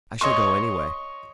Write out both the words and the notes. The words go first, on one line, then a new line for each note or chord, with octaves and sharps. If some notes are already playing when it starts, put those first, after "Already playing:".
I shall go anyway.
C#5 D#5 C6 C#6